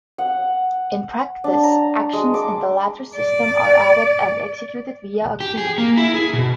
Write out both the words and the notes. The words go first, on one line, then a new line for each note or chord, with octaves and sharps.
In practice, actions in the latter system are added and executed via a queue.
F#5
D4
A#5
G#3
D6
D5
G4
G#4
A#3
E4
G#4
B2